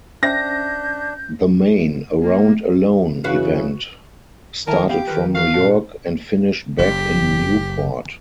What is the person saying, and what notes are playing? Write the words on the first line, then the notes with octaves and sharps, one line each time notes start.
The main "Around Alone" event started from New York, and finished back in Newport.
C#4 D4 C5 E5 G6 A#6
A#3
F#2 C#3 E3 F#4 B4 F5
D#3 E4 A#4 G#5 A5
B3 G4 F5
D#3 A#4 B4
F#4 A#4 F5
A#2 C#4 F#4 A4
F#1 G4 B6